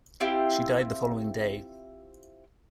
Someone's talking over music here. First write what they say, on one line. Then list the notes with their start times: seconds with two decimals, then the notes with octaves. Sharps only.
She died the following day.
0.20 C4 E4 F4 G4